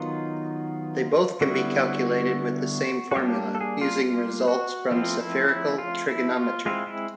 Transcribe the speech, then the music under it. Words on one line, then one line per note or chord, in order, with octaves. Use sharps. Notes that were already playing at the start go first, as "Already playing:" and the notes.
They can both be calculated with the same formula, using results from spherical trigonometry.
Already playing: D#3 F#3 B3 D#4 F4
D3 G3 B3 E4 F#4
F#4
G3 A#3 D4 G4
A4
G#4
F4
F4
F#4
F3 A3 C4 E4 F4
E4
E4
F4
E4
F4
G#3 C4 E4 F4
E4